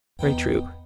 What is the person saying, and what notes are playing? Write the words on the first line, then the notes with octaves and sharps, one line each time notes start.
Very true.
E2 B3 D#4 G5